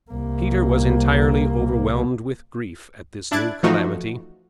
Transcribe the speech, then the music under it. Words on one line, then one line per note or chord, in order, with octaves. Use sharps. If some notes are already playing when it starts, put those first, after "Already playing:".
Peter was entirely overwhelmed with grief at this new calamity.
C2 A#3
D4 E4 F#6 G#6 A6 D7
E3 F3 A3 D#4 F4 F#4